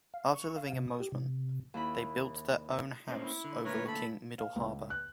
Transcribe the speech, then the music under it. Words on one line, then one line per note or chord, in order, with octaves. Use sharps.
After living in Mosman, they built their own house overlooking Middle Harbour.
F5
C#6
F5
C3
D#6
G4
C3
D#2 E4 B5
A#3 C4 C#4
E4
D3
A#2 D3 A3 A#4 B4 C#5
A4 B5
F5
C#2
F#6